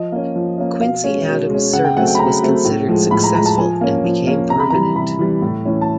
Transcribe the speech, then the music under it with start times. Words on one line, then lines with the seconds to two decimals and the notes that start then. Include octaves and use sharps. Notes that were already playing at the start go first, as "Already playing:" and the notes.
The Quincy Adams service was considered successful and became permanent.
Already playing: F3 D#5
0.12 A#3 C#4
0.36 F3
0.58 A#3 C#4
0.81 B2 F5
1.04 G#3 C#4
1.27 B2
1.50 G#3 C#4
1.73 C#3 F#5
1.85 G5
1.96 F#3 A3 C4 F#5
2.07 G5
2.15 B5
2.19 C#3 A#5
2.42 F#3 A3 C4
2.65 A2
2.88 F3 G#3
3.11 A2 B5
3.24 A#5
3.35 F3 G#3 A#5
3.46 A5
3.58 F3 G#5
3.81 A#3 C#4
4.04 F3
4.27 A#3 C#4
4.50 C3 A#5
4.60 B5
4.70 E3 G3 A#5
4.96 C3 B5
5.19 E3 G3
5.42 A2
5.65 E3 A3 C#4
5.81 A5